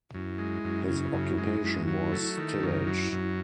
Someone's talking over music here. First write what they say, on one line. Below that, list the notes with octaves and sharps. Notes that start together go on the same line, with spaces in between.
His occupation was tillage.
F#2 E4
G#3
F#2
C#3
F#2
G#3
F#2
F#3
A3
D#3 E4
F#2
F#3
F#2